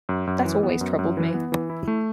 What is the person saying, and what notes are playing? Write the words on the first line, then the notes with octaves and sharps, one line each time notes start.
That always troubled me.
F#2
F#2
E3
B3
F#2
F#2
E3
B3
E3
E4
A3